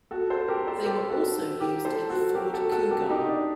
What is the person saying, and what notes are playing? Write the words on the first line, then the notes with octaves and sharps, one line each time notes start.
They were also used in the Ford Cougar.
F#4 A4
A4 C5
G4 A#4
A4 C5
G4 A#4
F#4 A4
G4 A#4
A4 C5
F#4 A4
G4 A#4
F#4 A4
F#4 A4
G4 A#4
F#4
D#4 G4
D4